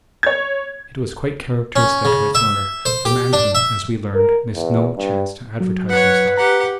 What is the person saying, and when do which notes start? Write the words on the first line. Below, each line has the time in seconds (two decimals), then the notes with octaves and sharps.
It was quite characteristic of its owner, for Manton, as we learned, missed no chance to advertise himself.
0.23 C#5 G#6
1.76 C#4
2.05 C#3
2.35 E5
2.86 C5
3.05 G4
3.33 D4
3.55 E5
4.15 A#4
4.55 E2
4.96 G2
5.61 F#3
5.89 B4 C#5 F#5
6.37 G4 F#5 A#5